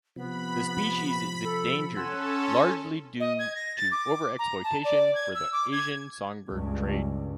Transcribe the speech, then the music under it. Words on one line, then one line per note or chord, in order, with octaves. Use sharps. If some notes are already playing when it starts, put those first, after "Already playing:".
The species is endangered largely due to overexploitation for the Asian songbird trade.
C3 F3 B3 B5
A4
C#4 A4 F#5 G#5 C6 E6
D#5
G#6
A#6
A6
D6
A#5
A5
D5
G#6
E6
D6
G#6
C#2 G2